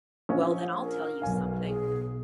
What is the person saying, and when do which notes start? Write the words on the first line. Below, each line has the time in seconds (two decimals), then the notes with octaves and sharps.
Well, then, I'll tell you something.
0.29 A#1 C#4
0.82 A#4
1.22 B1 F5 G#5
1.62 G#4